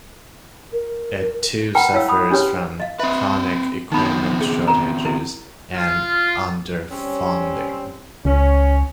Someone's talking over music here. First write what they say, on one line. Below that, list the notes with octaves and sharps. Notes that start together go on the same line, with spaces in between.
It too suffers from chronic equipment shortages and underfunding.
A#4
A#4 B4 F#5 G5 A#5 B5
E4 C#5 F5 E6
B5 D#6
C#4 D4 G4 B4 C#5 C6
D#5 F5
C4 B4 E5
D#3 B3 C4 D#4 B5
G#4
A#4 A#5
E4 A#4
F4
G3 C4 C#4
C#2 C#4